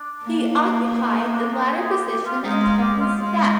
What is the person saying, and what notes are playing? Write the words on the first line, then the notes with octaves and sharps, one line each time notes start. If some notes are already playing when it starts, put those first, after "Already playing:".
He occupied the latter position until his death.
Already playing: D4
A#3
D#4
D#4
D4
D#4
G#4
G#4
G4
G4
F4
G#3 D#4
F4
G4
F4
G#3 F4
D#4